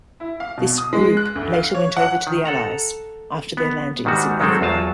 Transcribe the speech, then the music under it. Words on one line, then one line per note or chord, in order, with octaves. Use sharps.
This "groupe" later went over to the Allies after their landings in Africa.
E4
F5
B2
D#6
G#3
F#6
D2
F5
C#5
F#5
D#3
A4 F#5 A#5
B3
G#2 D#3 G3 F#4
D#3 F#3 G#3 C4 A4
E2 F#3 F4 A5